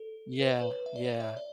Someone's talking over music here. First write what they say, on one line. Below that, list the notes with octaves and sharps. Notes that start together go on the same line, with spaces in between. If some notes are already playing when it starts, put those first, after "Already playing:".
Yeah, yeah.
Already playing: A4
B4
C#5
B4
E5
D5
C#5
E5
D5